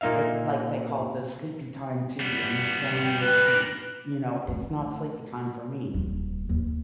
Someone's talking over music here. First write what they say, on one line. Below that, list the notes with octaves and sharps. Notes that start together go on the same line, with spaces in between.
it like, they call the Sleepytime tea and it's chamomile tea. You know, it's not sleepy time for me.
A#2 A#3 D#4 E5 F5
G3 B3
G5
B4
A#4 D5
A3
D#1
D#2